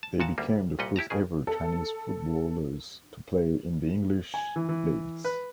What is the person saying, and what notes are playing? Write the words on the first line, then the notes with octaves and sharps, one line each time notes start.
They became the first ever Chinese footballers to play in the English leagues.
A5
A#2 F#4 A5
D2 G3 A#3
C2 A#2 G3 B4 D#5 F#5
E4 G4 A5 A#5
F2 C#3 G#4
A4
G#5
E3
E3
B4